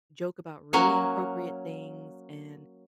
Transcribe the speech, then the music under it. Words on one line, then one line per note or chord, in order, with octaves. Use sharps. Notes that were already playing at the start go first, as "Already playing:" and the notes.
joke about really inappropriate things and
F#3 A#3 C#4 F#5 G#5